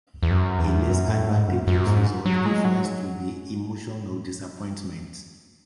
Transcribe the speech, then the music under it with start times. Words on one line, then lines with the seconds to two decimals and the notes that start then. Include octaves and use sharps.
A less advantageous result gives rise to the emotion of disappointment.
0.23 E2
0.30 F#2
0.59 E2
0.89 F#2
1.08 A2
1.28 G#2
1.48 F#2
1.67 F#2
1.86 G#2
2.26 F#3
2.46 G#3
2.64 F#3